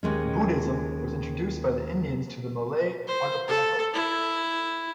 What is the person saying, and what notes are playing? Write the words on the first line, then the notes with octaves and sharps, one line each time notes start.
Buddhism was introduced by the Indians to the Malay Archipelago.
D#2 G#3 C#4
C5
A4
E4